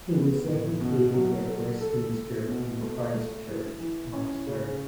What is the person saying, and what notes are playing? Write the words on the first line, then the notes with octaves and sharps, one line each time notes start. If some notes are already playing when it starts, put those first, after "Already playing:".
He was educated at Westminster and Christ Church, Oxford.
B3
A2
B2
F#3
A4
A4
A3
B2
A3
A3
E3
E3
C#4
C#3